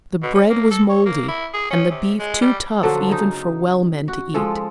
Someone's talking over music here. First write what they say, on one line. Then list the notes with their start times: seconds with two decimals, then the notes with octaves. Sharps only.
The bread was moldy and the beef too tough even for well men to eat.
0.23 B2
0.34 C#4
0.50 A#3
0.71 A4
0.90 C#5
1.06 A#3
1.28 E4
1.54 G#4
1.70 C#4
1.91 C3
2.19 G#3
2.41 G3
2.83 D3 F3 F#3 A4
3.09 C#3 D#4
4.08 F#4
4.34 F3 G#3 A4